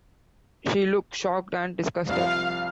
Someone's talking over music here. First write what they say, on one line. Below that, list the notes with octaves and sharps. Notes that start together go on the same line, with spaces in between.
She looks shocked and disgusted.
C2 F3 F5